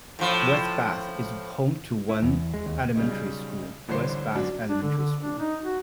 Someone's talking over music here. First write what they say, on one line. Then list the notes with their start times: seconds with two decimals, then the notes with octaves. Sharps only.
West Bath is home to one elementary school, West Bath Elementary School.
0.19 A2 F3
2.09 E4
2.23 E2
2.54 G#3
2.66 D#2
2.95 B1 C#3 G3
3.88 A1 A2 D3 G3 C5 C7
4.35 F#2 B2 F#3 D4
4.69 D4
4.83 D3
4.98 D3
5.21 D4
5.39 D#4
5.65 F#4